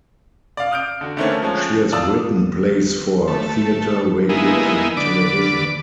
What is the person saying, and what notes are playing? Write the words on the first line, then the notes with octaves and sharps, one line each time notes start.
She has written plays for theatre, radio, and television.
D5 F5
D#6 F6 G6 D7
D3 F#4
D3 D#3 A3 A#3 C4 C#4
F3 G#3 C#4
F4 D5 A5 D#6 E6
A3
G#3 A#3 B3 D#4 E4
D3 B4 D5 D6